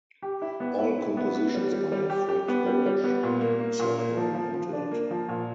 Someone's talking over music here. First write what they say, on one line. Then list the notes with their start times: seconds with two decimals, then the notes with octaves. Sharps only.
All compositions by Fred Hersch except where noted.
0.22 G4
0.42 E4
0.60 B3
0.78 E4
0.98 E4
1.17 B3
1.35 B3
1.55 G3
1.72 G3
1.92 G3
2.10 G4
2.29 G4
2.48 B3
2.66 G3
2.86 G3
3.04 B3
3.23 A#2
3.41 A#3
3.60 A#3
3.79 A#2
3.98 A#3
4.17 F3
4.34 F3
4.54 F3
4.73 D4
4.91 A#3
5.11 F3
5.29 A#2